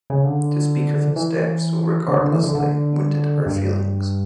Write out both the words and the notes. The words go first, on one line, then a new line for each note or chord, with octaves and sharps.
To speak of his death so regardlessly wounded her feelings.
C#3
D3
E3
D3
D3
E3
D3
D3
G2